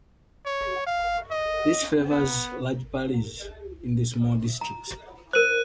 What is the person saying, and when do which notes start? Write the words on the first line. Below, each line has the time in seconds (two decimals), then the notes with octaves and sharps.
This favors large parties in the small districts.
0.46 C#5
0.87 F5
1.31 D#5
2.11 B3
4.61 A#5
5.33 A#4 C5 F#6 D#7